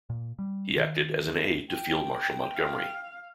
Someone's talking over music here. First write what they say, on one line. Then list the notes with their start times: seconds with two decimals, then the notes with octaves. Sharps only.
He acted as an aide to Field Marshal Montgomery.
0.10 A#2
0.39 G3
0.76 D#3
1.69 G5
2.54 F5